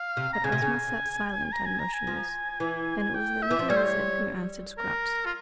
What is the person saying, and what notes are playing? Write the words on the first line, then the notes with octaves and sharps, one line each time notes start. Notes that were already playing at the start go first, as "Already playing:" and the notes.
But Ozma sat silent and motionless and it was the little Wizard who answered Scraps.
Already playing: F5
C3
A#5
C#3 G#5
C3
C#3
A#5
G#5
A#5
G#5
F3
E3
G5
E5
E3
F3
G3 C#5
C5
C#5
A#4
F4